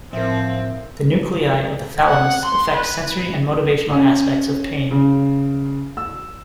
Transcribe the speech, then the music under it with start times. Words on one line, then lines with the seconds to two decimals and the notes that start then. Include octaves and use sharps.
The nuclei of the thalamus affect sensory and motivational aspects of pain.
0.13 A2 F3 C4 A#4 E5
2.07 F#5
2.45 C6
2.74 B4
3.91 C#4
4.91 C#3
5.97 E6